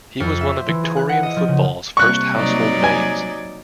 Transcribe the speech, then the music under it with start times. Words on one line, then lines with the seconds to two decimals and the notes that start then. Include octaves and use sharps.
He was one of Victorian football's first household names.
0.20 F2
0.41 E5
0.56 C5
0.68 E3
0.84 G#4
0.97 F#6
1.09 F#5
1.23 D#5
1.36 F3
1.48 C#3
1.97 C3 G3 A#3 C#6 F#6
2.35 F#3 D#4 D5
2.84 G#5